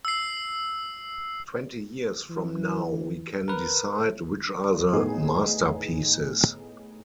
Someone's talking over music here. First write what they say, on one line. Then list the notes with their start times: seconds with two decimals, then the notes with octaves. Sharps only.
Twenty years from now we can decide which are the masterpieces.
0.05 E6 C7
2.30 E3
3.48 A#4 B4
4.93 A2 B3 D#4 G#4